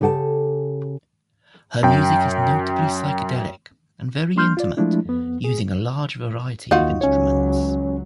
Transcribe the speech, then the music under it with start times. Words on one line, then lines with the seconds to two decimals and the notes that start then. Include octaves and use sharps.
Her music is notably psychedelic and very intimate using a large variety of instruments.
0.01 C#3 G4 A4 F#5 A5
1.83 F#2 G5
4.35 G3 A#3 D4 C6 F6 G6
4.57 F4 D5
4.77 F3 G#3 A3 D4 E4
5.06 F2 B3
5.44 G#4
6.71 D#2 D#4 F4 F#4
7.01 C#2 F#3 C#4 C#5